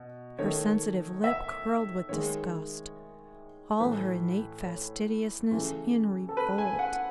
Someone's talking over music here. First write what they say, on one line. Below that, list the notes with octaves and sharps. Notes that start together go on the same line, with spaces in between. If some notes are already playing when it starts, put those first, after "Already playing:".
Her sensitive lip curled with disgust, all her innate fastidiousness in revolt.
Already playing: B2
D#3 A3 C#5
E5
D#3 G#3 C#5
A2 E3 A3 B4
C#5
C#3 E3 A3
A4
B4
G#5
F#5